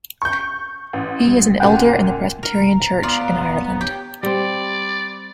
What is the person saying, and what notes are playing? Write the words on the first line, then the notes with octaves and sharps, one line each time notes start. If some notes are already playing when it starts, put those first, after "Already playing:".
He is an elder in the Presbyterian Church in Ireland.
C#6 G6
A1
G3
F#2 A#2 F#5 G5
A#4 A#5
B3 F4 D5
G4 C#5 G5
G3 C4 D5